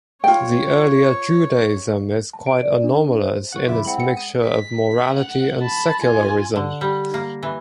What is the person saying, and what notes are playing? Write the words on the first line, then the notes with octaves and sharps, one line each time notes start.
The earlier Judaism is quite anomalous in its mixture of morality and secularism.
F4 C#5 G5
A5
D7
D5
D4
C5
F#5 C#6
F2 C#3 E4 F4 E5 D6
G#3 C4 F#5 B5
F#5 C#7
D#6
B6
F#5
A5 B5
F4 G#5
D3
G3
A#3
E3